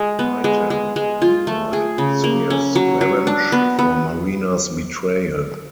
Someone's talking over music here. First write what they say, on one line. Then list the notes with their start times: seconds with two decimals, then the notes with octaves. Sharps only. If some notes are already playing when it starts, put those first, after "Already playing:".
Titan, meanwhile, swears revenge for Marina's betrayal.
Already playing: G#3
0.19 B3
0.44 G#3
0.70 G#3
0.96 G#3
1.22 F4
1.47 A3
1.73 G#4
1.98 C#3
2.24 A#3
2.50 C#4
2.76 F#3
3.01 F#3
3.27 D4
3.52 B3
3.79 B3